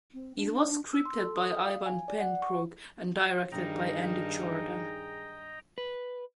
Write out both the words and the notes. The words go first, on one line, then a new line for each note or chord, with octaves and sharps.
It was scripted by Ivan Benbrook and directed by Andy Jordan.
C4
D4
D4
E6
C6
A4
D#6
F5
G#5
D5
F#5
C#6
G2 D#3 D#4 G#4 D#5 G5 A#5
B4